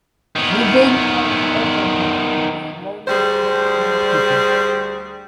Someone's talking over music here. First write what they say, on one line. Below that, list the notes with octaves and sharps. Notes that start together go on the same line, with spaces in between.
He then knelt over her and slowly choked her to death.
D#3 B3
D2 G3 G#4 C5